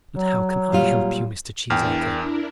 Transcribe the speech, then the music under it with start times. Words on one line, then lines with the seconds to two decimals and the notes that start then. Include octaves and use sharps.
"But how can I help you, Mr. Cheesacre?"
0.17 F#3
0.72 A#2 G3 F4
1.70 E2 D4 E4 A#4 G5 F6